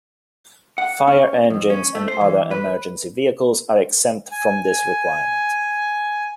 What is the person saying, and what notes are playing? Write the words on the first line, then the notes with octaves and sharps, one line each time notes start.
Fire engines and other emergency vehicles are exempt from this requirement.
F#5
C#4
F2
C#4
A3
C5
E3
B4
G#5
G#5